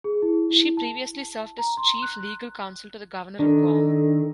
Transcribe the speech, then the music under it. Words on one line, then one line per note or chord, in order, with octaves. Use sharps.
She previously served as Chief Legal Counsel to the Governor of Guam.
G#4
E4
E4
A5
A#5
C6
F#6
D#3 D4 A4